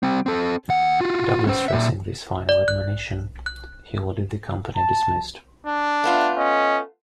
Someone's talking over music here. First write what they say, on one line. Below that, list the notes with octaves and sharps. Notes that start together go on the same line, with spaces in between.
Doubly stressing this final admonition, he ordered the company dismissed.
G3 C4
C4 A4
D#2 F#5
F4 F#4
C#4 C5
A#2 E5
D5
F#6
F#6
A5
D4
A3 B3 F4
C#4 D#5